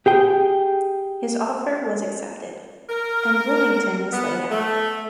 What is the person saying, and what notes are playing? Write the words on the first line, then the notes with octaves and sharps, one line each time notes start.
His offer was accepted, and Bloomington was laid out.
G4 G#4 G5
A#4
B3
A3